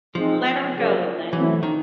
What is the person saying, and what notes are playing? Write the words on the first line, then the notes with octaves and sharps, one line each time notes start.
Let her go, then.
F3 G#3 C4 D#4
C#3 F#3 A#3
E3 F#3 A3 C4 E4
D#3